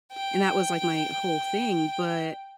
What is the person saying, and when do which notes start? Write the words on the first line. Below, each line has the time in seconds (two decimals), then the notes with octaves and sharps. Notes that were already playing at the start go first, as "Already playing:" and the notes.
and that was, like, my whole thing. But
0.14 G5